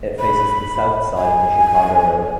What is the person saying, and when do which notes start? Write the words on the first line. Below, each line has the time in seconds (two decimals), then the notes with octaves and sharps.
It faces the south side of the Chicago River.
0.19 B5
1.17 G#5